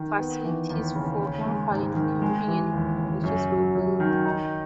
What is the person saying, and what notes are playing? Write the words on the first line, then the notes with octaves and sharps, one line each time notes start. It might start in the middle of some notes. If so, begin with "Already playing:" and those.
Facilities for campfire and camping, and bridges were built.
Already playing: D#3
B3
E3
D#2
C#3
C#4
G#3
G#2
D#3
G#3
E3
D#2
C#3
F#2
F#3
F#2
D#3
D#4